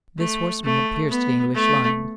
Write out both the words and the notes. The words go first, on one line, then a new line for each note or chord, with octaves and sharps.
This horseman had pierced the English lines.
A3
A3
B3
A3